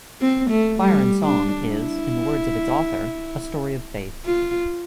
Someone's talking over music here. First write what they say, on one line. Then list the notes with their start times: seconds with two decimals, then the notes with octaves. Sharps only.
"Fire and Song" is, in the words of its author, "a story of Faith".
0.21 C4
0.50 A3
0.79 G3
1.23 D4
1.66 E4
4.25 F4